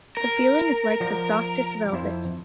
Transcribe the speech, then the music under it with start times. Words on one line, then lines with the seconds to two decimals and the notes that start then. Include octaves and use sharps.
The feeling is like the softest velvet.
0.17 A#4
1.00 F3 D5 F#5
1.92 F2 E4 C5